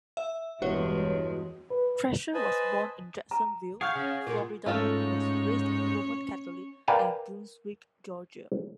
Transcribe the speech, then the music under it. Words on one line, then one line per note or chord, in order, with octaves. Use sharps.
Trasher was born in Jacksonville, Florida and was raised Roman Catholic in Brunswick, Georgia.
E5
E1 E2 G2 G#3 F#4 C#5
B4
B4 C5 D#5 G#5 A5 B5
A#5
G#4 F5 F#5 C#6 F6 G6 G#6
C#3
A#2
G#2 A3 C#4 F4 A4 C#5
A#4 B4 D5 F5 G5 G#5